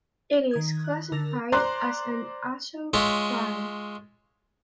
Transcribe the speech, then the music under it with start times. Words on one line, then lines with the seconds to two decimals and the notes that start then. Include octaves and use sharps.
It is classified as an azo dye.
0.51 D#3 D#6 G#6
0.84 F#6
1.12 D3 A#4 E6 A6 A#6 F7
1.52 C5 D5 A#5 C6 F#6
2.93 G#3 F4 G#4 C#5 E5